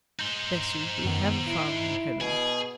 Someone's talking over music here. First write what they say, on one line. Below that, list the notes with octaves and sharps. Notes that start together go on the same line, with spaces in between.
'Bessy--we have a Father in Heaven.'
D#4 C5 G6
F#2 D#3 B3
E4 C7 D7 E7
B2 G#4